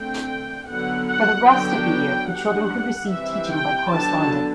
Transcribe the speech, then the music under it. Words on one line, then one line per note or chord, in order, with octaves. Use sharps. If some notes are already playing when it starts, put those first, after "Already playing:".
For the rest of the year the children could receive teaching by correspondence.
Already playing: D3 A3 C4 G5
D3 F#3 B3 F#5
F#5
D3 F#3 B3 D4 G5
G3 D4 F#5
E3 G3 C4 E5
G5
D3 F#3 B3 D4 A5